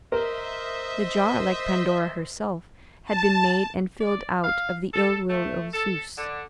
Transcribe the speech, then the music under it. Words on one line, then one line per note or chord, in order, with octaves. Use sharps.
The jar, like Pandora herself, had been made and filled out of the ill will of Zeus.
A#4 C5 D#5 E5
A5
D5
F5
A4
A3
A4
D3